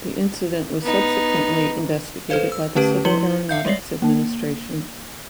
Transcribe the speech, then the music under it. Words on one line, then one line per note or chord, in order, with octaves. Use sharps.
The incident was subsequently investigated by the Civil Aeronautics Administration.
B3 D#4
A4 B4 C5 F5
E6
D3 A3 C#4 G4 B4 D7
F3 E4 B4 C#7 F#7 G7
E5 F5 G6
G3 G#3 C#5 D5 C7
A#3 A5